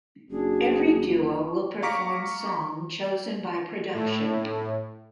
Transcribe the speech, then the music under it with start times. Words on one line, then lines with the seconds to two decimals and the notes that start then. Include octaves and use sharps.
Every duo will perform song chosen by production.
0.30 F#1 D4 F#4 G#4
1.82 F5 A#5 C#6 D6 B6 D7
3.94 A2